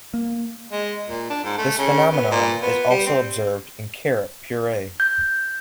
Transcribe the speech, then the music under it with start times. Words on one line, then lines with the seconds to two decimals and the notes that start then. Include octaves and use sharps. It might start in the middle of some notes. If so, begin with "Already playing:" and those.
This phenomenon is also observed in carrot puree.
0.14 A#3
0.72 G#3
1.07 A#2
1.30 D4
1.44 G#2
1.58 A3
1.78 C#3
2.11 B3
2.31 A#2
2.62 B3
2.90 G3
3.06 C4
5.00 G6